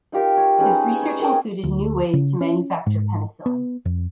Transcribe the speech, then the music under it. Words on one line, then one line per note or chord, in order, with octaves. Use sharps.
His research included new ways to manufacture penicillin.
D#4 F4 G4 A#4
C#5
G#3 C#4 D#4 B4
C#5
G#4 A#4 D#5 G5
D2
C#3
C#4
G#2
B3
F2